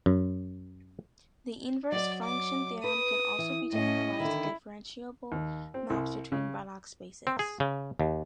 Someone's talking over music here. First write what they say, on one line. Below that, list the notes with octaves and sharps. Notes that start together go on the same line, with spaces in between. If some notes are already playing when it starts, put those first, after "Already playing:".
The inverse function theorem can also be generalized to differentiable maps between Banach spaces.
F#2
F#3 D5 D#5
D6
B4 D#6
E3
A2 C#4 D#5
D3 D#3 E4
D#2
C4
C2
C#3
C4
G#4
C#3
D#2